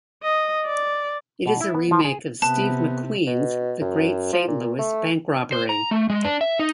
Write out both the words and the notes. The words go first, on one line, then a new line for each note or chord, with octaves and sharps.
It is a remake of Steve McQueen's The Great Saint Louis Bank Robbery.
D#5
D5
B2
E4
B3
F3
G#4
C3 B3 A5
B2
F#2
F3
A#2
A3
C5
A#5
A3
G#3
D4
E5
D#4